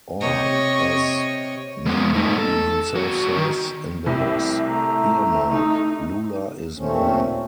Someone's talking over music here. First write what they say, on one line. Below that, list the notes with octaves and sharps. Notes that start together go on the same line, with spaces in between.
Or, as Mainardi himself says in the book's earmark, Lula is mine.
C3 C#5 D#5
G#3 B3
A3 D#4
A4
E2 F#4
D#3
C2 A2 C3
A3 A#5
D#4
D#2 A#2 A3 C4 C#4